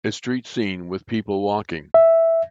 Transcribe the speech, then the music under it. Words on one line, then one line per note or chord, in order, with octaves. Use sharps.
A street scene with people walking.
E5